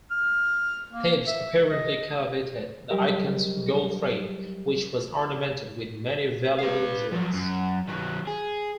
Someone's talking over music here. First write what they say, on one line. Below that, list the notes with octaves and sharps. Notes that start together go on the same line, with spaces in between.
Thieves apparently coveted the icon's gold frame, which was ornamented with many valuable jewels.
F6
A#3
E5
D#5
F#3 G3 G4 A#4 C5 D#5
B4 F5
F3 F#3
F#2
D#3 F#3
G#4